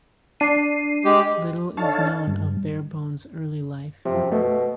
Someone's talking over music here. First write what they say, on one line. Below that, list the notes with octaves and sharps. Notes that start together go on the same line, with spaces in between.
Little is known of Barebone's early life.
D4 C7 D#7
G#3 G4
D4 D#4 A4 C#5 F5 A5
G2
F#2 C3 F3
B2 A3